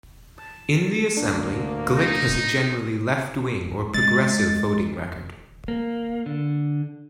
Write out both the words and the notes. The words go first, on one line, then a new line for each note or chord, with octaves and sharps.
In the Assembly, Glick has a generally left wing or progressive voting record.
A5
D2 A#3 D4
D#4
G#3 A6
A#3
D3